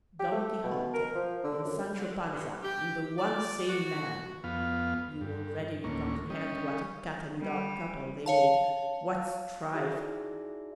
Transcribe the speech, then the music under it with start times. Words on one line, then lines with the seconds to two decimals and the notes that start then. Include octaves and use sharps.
Don Quixote and Sancho Panza in the one same man! you will readily comprehend what a cat-and-dog couple they made! what strife!
0.20 G4
0.32 A3
0.64 B2
0.94 A#4
1.15 F3
1.44 D3
1.64 F#2
1.98 D3
2.33 G2
2.63 G4
3.18 D5
3.68 F#4
4.44 F2 B3 F5
5.21 G2
5.84 D2 A2 A#3 C#4
6.30 G3 C#4 D#5
7.41 G3
8.26 C#5 F5 A5
9.73 D#4 E4 F#4 G#4 D5 E5